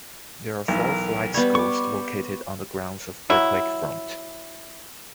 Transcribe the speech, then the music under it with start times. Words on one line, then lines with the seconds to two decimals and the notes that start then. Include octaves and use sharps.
There are four flight schools located on the grounds of Burke Lakefront.
0.68 B1 E3 A#4
1.34 G3 B3 C#5
1.55 C#6 D6
3.30 F#3 E4